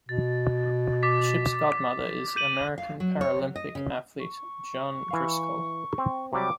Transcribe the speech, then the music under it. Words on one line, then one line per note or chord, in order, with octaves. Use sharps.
The ship's godmother is American paralympic athlete Jean Driscoll.
B2 A6
D6 A6 B6
G6 D#7 F#7
F5
F#3
C#5
F#3
D#5
C#3
C#6
E3 F5
C4
C3 F#3 G3 D6